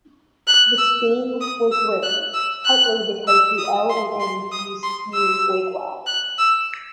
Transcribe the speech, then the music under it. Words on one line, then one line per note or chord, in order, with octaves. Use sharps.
This scheme was rare, partly because the L and N used few wigwags.
F#6
E6
D#6
E6
F#6
E6
F#6
E6
D#6
C6
C6
D#6
C6
E6
F#6
E6